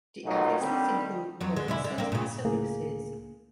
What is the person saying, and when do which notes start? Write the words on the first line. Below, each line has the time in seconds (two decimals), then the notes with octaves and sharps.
The affixes include prefixes and suffixes.
0.23 B1 A#2 F#3 A3 D#4 F#4
0.59 D3 D#3 G3 C4
1.41 F2 F#3
1.56 D3 G#3
1.68 C3 G#3 E4
1.84 D3
1.98 A#3 C4
2.12 A#2 C#3
2.44 C#2 A2 A#3 G#4